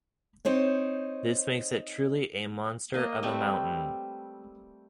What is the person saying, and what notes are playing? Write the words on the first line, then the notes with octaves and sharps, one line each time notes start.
This makes it truly a monster of a mountain.
C4 D#4 C5 C#5
A#3 D#5
G3 A3 C4 B4